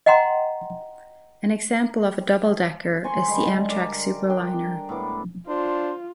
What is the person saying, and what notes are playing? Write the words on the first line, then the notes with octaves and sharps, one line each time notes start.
An example of a double decker is the Amtrak superliner.
D#5 F#5 G5 A#5 C6
C5 G#5 C6 C#6
D3 G3 G#3
A#4 D5
D4 G5
A2 B3 D6
D4 F4 C5